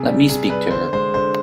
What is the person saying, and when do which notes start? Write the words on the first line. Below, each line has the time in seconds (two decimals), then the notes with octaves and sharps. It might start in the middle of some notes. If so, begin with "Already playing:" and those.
Let me speak to her.
Already playing: C3 G#4
0.08 G3
0.29 C3 G#4
0.50 G3 B4
0.71 D3 C5
0.93 G#3 C5
1.14 D3 C5